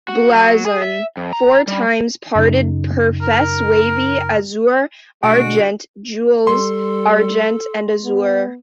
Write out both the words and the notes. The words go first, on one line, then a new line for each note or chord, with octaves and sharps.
Blazon: Four times parted per fess wavy, Azure, Argent, Gules, Argent and Azure.
F#4
F#3
G#4
E5
F2
A#5
G3
F#2 C#3 D#4
A#4
B2 D3 G#3 A3 F#4 D7
G3 A4 C6
B3